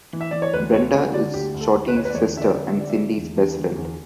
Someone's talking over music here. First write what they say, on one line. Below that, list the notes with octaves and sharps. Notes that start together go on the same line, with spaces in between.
Brenda is Shorty’s sister and Cindy’s best friend.
E3
E5
E3 D5
C#5
D2 B4
D2 C#5
D3 C#5
D3 D5
D2 G4
D2
A4
D2
B4
D2 C#5
B4
D5
E2 C#5
D3 E5
D5
D3
E5
D3 D5
E5
D3
E2
E2
D3
E2